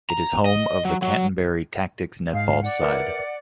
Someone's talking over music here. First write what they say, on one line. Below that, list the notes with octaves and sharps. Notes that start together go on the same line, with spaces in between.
It is home of the Canterbury Tactix netball side.
A#5
D#5
F#3
F#3
G#2 F5
D5 F#5
A#4 B4 E5